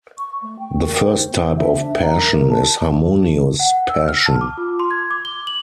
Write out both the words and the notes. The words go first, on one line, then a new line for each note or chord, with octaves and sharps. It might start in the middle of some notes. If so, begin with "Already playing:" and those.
The first type of passion is harmonious passion.
C#6
A3
G5
A#4
C5
B3
E5
D4
A#5
A#4
A5
F#5
E6
F6
A5
D6
F4
C6
G#6
D6
G7
F#7